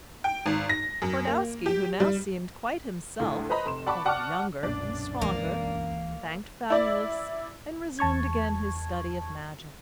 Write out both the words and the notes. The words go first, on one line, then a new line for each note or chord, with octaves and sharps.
Twardowski, who now seemed quite himself, only younger, and stronger, thanked Famulus and resumed again his study of magic.
G5
G#1
A#6
F#2
A#3
G4
G3
D2 A2
B4 C5 D#5 A#5 B5
F1 C6 E7
D5 F#5 A5 B5 C#6 D6
D5 F#5 A5 C#6 D6 F6
B1 F#2 A#2 E3 D4
C#2 E3 A#3
E4 D5
E2 A5 C#6 G#6